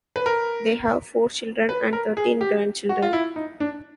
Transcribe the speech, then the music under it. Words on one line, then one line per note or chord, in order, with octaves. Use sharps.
They have four children and thirteen grandchildren.
B4
A#4
B4
A#4
G#4
G4
F#4
F4
E4
D#4
D4